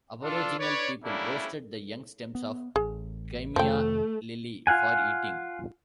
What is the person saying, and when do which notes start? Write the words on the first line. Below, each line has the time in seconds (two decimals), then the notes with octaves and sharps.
Aboriginal people roasted the young stems of gymea lily for eating.
0.23 D4 F4 A4
0.59 B4 C#5 D5
1.04 G3 A3 A#3 C#4 D4 E4
2.35 B3
2.76 A1 G#4
3.56 F2 C3 D#3 F3 A3 G5
4.67 F4 F5 F#5 G#5